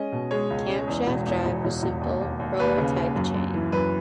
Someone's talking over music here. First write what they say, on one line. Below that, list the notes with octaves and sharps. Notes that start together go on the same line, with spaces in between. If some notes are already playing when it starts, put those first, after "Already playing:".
Camshaft drive was simple roller-type chain.
Already playing: G#3 C#4 D#5
B2
G#3 C#5
C#2
C#4
E2
E1
E2
E1
E1
E1
D#2
D#2
D#2
D#2 B4
C#3
D#2
F#2
F#2
E3
F#2 B4